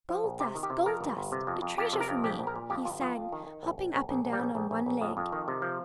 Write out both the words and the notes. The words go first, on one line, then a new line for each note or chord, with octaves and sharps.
"Gold dust, gold dust, a treasure for me!" he sang, hopping up and down on one leg.
F3
A#1
C3 G4
D#3
G4
C3
F2 A#4
G1
G1
C3
F2
F2
F2 G4
C3
A#4
F2
A#1 G4
A#1
A#4
A#2
F2 G4
G1 F4
F2 F4
F2
D#3
D#3
A#1
A#1
A#1
A#1
A#1
G3
A#1
A#1
A#1
A#1
F2
F2
D#3
C3
F3